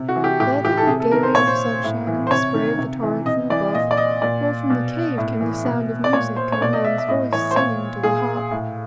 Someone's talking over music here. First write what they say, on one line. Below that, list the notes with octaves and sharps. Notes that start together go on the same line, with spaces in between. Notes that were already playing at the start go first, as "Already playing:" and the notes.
There they grew gaily in the sunshine, and the spray of the torrent from above; while from the cave came the sound of music, and a man's voice singing to the harp.
Already playing: C3
F#4
E3
G4
A2 G4
E3 G4
A4
C3 G#4
A4
D#3 A#4
C5
A#2 C#5
C5
A2
E3
C5
C3 C#5
D#3
C3
E3
C3 D#5
E3 D5
A#2 D#5
D5
D#5
A#2 D5
B2
A2
E3
B2
D5
A#2 C#5
C5
C#5
B2 D5
D#5
E5
E5
A2 D#5
E3 C#5
C5
A#2 C#5
A#2 G#4
A2